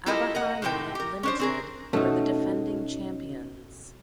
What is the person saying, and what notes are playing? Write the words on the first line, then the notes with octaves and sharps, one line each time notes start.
Abahani Limited were the defending champions.
E4 F4 G4 A4 A#4 D#5
A#4 D#5 F#5
A2 C3 G#3 A3 G5
G4 A#4
C#4 D4 C5
C4 G#4 A#4
B2 A3 C#4 D#4